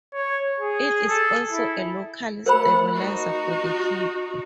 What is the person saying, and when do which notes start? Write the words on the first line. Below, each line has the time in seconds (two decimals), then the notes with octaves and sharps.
It is also a local stabilizer for the hip.
0.14 C#5
0.60 G#4
1.08 A4
1.52 E4
2.46 A3 A#4 C5 F#5 B5
2.95 D#4 F#4